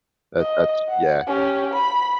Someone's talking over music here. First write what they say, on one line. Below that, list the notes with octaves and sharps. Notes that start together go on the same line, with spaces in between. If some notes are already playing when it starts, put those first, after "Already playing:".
That that's yeah.
D#5
F#5
C#4 G4
B5